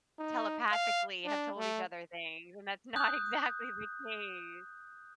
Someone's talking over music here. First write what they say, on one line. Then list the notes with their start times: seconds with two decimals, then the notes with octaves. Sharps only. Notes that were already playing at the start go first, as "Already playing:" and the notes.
telepathically have told each other things, and that's not exactly the case.
0.19 D#4
0.71 F5
1.26 D4
1.57 A3
2.96 D#6 F#6 G6